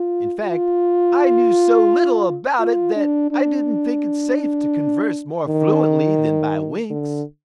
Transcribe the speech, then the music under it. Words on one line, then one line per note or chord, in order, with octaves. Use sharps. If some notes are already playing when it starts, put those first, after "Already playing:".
In fact, I knew so little about it that I didn't think it safe to converse more fluently than by winks.
Already playing: F4
F4
F4
D4
D4
D#3
D3